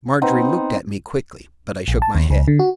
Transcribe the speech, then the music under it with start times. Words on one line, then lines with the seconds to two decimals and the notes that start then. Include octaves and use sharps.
Margery looked at me quickly, but I shook my head.
0.22 B3 C4 D#4
1.88 A#1
2.02 A5
2.15 D#2
2.30 C#2
2.48 D3
2.59 F#4